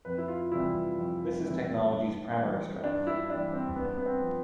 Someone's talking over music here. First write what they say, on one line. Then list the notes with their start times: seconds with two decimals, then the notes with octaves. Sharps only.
This is the technology's primary strength.
0.05 F2 B4
0.18 E4
0.28 F4
0.52 C3 E3 G3 E4
0.98 F2
1.45 C3 E3 G3
1.91 G2
2.37 E3 G3
2.83 G2 D4
3.07 E4
3.30 E3 G3 D4
3.53 C4
3.76 G2 B3
3.97 B3
4.06 C4
4.22 F3